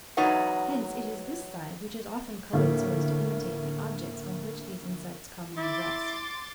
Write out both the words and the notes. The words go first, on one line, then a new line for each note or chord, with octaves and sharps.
Hence it is this side which is often coloured so as to imitate the objects on which these insects commonly rest.
E2 F#3 D#4 B4 F#5
D2 A2 A#3
E4 C6 D6 A6